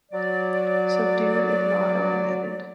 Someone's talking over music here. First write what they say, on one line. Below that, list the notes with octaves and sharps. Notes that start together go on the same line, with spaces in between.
Subdued if not eliminated.
F#3 D5